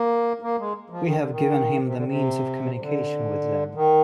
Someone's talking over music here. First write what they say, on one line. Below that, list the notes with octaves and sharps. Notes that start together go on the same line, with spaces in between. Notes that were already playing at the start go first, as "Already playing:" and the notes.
We have given him the 'means of communication' with Them.
Already playing: A#3
A#3
G#3
F3
D#3
D3
D#3
C3
D3
C3
C3
D3
D#3